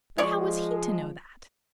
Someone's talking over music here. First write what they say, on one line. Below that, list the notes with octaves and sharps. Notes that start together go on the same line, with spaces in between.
But how was he to know that?'
F3 G#3 C#5 D5